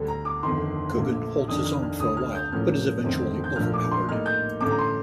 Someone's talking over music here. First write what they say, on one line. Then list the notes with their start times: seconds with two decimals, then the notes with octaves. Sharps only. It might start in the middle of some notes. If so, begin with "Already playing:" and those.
Coogan holds his own for a while but is eventually overpowered.
Already playing: D2 D3 G3
0.08 A#5
0.25 D6
0.43 G1 F2 D#3 C6
0.96 A#1 A#2 A3
1.48 F2 D#3 G3 D4 D#6
1.64 F6
1.82 F6
1.99 D2 D3 G3 D#6
2.17 F6
2.35 G6
2.52 A1 A2 F3 A#3 F6
3.04 G1 F2 D#3 A3 C4
3.44 G6
3.56 A#1 A2 F3 A#3 D4 F6
3.74 D6
3.91 C6
4.08 A2 G3 A#3 D#4 F6
4.26 G6
4.61 A1 G2 D3 A3 D6
4.71 A#5
4.78 C6